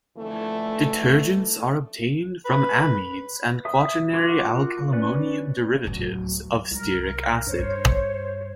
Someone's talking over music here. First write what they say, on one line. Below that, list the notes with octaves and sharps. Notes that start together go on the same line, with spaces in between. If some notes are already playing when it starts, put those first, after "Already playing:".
Detergents are obtained from amides and quaternary alkylammonium derivatives of stearic acid.
F2 D3 E3 A3
B4
E5 D#6
F4 F#4 A#4 D6
C#4 B4 D5
D1 F#3
C2 A#4
G2 C5 C#5